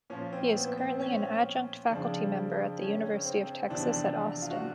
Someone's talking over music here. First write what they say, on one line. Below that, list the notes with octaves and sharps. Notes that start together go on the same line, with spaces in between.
He is currently an adjunct faculty member at The University of Texas at Austin.
A#2 F3 C#4
C4
B3
C4
C#4
F2 C#3 F3 D4
C#4
C4
E2 C3 F3 D4
F4
F#4